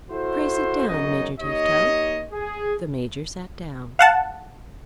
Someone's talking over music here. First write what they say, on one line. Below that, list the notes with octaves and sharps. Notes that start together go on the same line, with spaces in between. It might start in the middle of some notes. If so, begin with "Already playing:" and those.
"Pray sit down, Major Tifto." The Major sat down.
E4 F#4 A4 C5
B1 F#2 C#3 D#4 C#5 D#5
A#3 D#4 G4 C#5 D#5
G#4
F5 F#5 A5